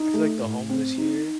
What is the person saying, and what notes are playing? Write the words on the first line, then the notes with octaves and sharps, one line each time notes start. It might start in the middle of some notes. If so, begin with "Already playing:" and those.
I feel like the homeless here
Already playing: D#4
A3
A2
C4
D#4